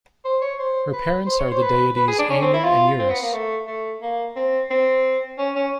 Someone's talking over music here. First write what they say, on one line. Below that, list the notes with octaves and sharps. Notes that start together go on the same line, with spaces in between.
Her parents are the deities Anu and Uras.
C5
C#5
C5
B4
C5
C#5
C5
B4
B4
G#4
D4
C#4
C4
E4
F4
C4
B3
A#3
A3
A3
A#3
C4
C4
C#4
C#4